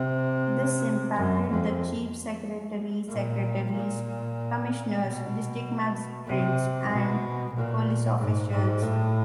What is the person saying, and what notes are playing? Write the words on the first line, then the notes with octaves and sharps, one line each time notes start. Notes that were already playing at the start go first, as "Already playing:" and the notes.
This impacted the Chief Secretary, Secretaries, Commissioners, District Magistrates, and police officials.
Already playing: C3
F#2
F2
A#2
A#2
B2
C3
B2
A#2
G#2
G#2
A2